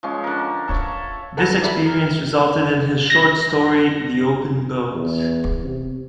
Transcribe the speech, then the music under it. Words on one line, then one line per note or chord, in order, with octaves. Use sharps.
This experience resulted in his short story "The Open Boat".
F3 G#3 C#4
D3 A#4
A4 C#5 E5
A4 B4 F#5 A5 A#5
D5 E5 B5
A#4
A#6
E2
C3